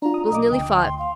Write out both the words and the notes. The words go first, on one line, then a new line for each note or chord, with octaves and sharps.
It was nearly five.
D4 F4 A#5
D#6
B1 D#5 D6 D#6
D2 G5
C6
F5